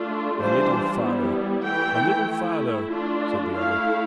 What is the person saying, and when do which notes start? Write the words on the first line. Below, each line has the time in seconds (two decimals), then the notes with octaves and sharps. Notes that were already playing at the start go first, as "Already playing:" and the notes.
"A little farther--a little farther," said the other.
Already playing: A3 D4 F4
0.38 E3 G3 D4 F4 C5
1.01 G3 B3 E4
1.64 E3 A3 E4 G5
2.29 A3 E4
2.91 A3 D4 F4
3.54 A3 E4 F5